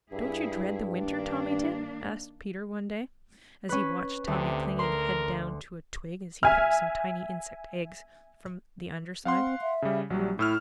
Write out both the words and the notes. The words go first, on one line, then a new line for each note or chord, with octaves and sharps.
"Don't you dread the winter, Tommy Tit?" asked Peter one day, as he watched Tommy clinging head down to a twig as he picked some tiny insect eggs from the under side.
G2 E4 G#4
D#3 A#3 D4
C#4 B4
D2 C3
A#4 C6
E5 G#5 F6
C4 F5 F#5 C6
E5
C#3 G3
A#1 F#3 G3
A2 E4 E6 F6